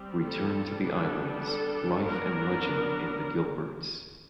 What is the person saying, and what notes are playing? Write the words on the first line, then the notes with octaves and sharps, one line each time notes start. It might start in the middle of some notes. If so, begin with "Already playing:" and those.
Return to the Islands: Life and Legend in the Gilberts.
Already playing: G3 C4
A4
D3 G3 B3 D4
A4
F#3 B3 D4 A#4